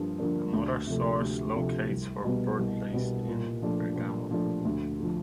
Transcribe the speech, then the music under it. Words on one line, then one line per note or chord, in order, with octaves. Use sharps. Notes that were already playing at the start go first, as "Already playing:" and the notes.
Another source locates her birthplace in Bergamo.
Already playing: G2 F3 A#3
D3 F3 A#3 D4
D2
C3 F3 A3
D2
C3 F3 A3
C2
B2 G3 B3
C2
B2 G3 B3
A#2
F3 A3 D4
A#2
F3 A3 D4
D2
D3 F3